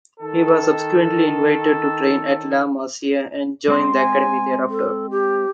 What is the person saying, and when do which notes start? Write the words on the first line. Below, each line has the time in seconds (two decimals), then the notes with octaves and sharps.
He was subsequently invited to train at La Masia and joined the academy thereafter.
0.20 D#3 A4
3.68 G#3 C4 C5
3.95 G#5
4.70 A4
5.11 G4